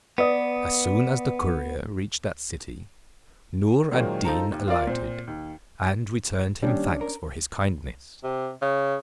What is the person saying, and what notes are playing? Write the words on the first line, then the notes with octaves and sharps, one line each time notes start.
As soon as the courier reached that city, Noor ad Deen alighted, and returned him thanks for his kindness.
B3 B4 D5 D#6
A#2 D#3 F#3 G#3 A#3 C4
D#4 F4 A4 C5 A#5
D#2
F4 A#4 D5 F5
A#2 C4
D#2
D#2 G3 C#4 D4
A#4
C3
C#3